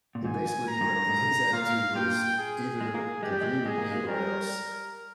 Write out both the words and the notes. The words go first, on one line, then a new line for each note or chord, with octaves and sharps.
He basically wa uh, his attitude was either agree with me or else,
A#2
G#2 G#5
A#5
G2
G2
G#2
A#2 F5
A#2 G5
G#4
G#3
A#3
G#3 G4
G3
G#3
G#3 G#4
A#3
G#3
G3 A#4